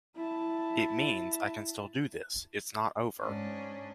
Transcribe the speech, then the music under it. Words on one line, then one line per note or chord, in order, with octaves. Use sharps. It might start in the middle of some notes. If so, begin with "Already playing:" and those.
It means, I can still do this, it's not over.
E4 A5
G#2 C#4 D4